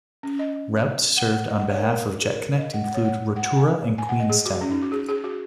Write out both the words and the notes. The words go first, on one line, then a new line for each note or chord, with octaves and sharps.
Routes served on behalf of Jetconnect included Rotorua and Queenstown.
C#4
D#5
F#5
F#5
D#5
F#5
C#5
A#4
A#4
F#4
G#4
A#4
D#5
F#5
F#5
C#5
F#5
F#5
F#5
G#5
G#5
F#5
D#5
G#4
F#4
C#4
D#4
F#4
G#4
G#4
F#4